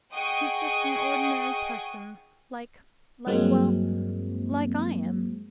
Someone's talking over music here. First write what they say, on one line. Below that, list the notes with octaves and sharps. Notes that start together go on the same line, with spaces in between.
He's just an ordinary person--like--like--well, like I am.
G#4 D#5 F#5 G5 C#6 D#6
G2 F#3 G#3 A#3 C4